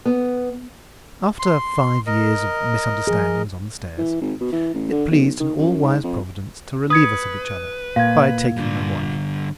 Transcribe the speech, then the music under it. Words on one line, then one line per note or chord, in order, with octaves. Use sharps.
After five years of misunderstandings on the stairs, it pleased an all-wise Providence to relieve us of each other by taking my wife.
B3
C6
A#4 D#5
F3 G#4
E3
G#1
B2
E3
A1
D3
B1
D#3
F#2
G#2
F2
B4 D#6 G#6 C#7
A#2 F5 G#6
G2 D3